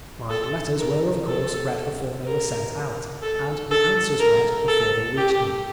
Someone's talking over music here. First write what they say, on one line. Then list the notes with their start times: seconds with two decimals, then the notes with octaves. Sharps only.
My letters were of course read before they were sent out, and the answers read before they reached me.
0.30 A4
0.79 A#4
1.27 A4
2.25 A#4
3.22 A4
3.71 A4
4.20 A#4
4.68 A4
5.17 G4